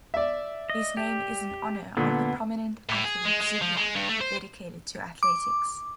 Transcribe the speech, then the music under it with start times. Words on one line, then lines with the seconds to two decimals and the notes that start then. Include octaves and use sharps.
His name is in honor of a prominent athlete Zulia dedicated to athletics.
0.14 D5 E5
0.70 D#5
0.97 G4
1.97 A#2 D3 B3
2.89 A2
3.04 G#4
3.26 G#3
3.41 G#3
3.62 F3
3.77 G#3
3.96 G2
4.09 A3
4.21 C5
5.23 D6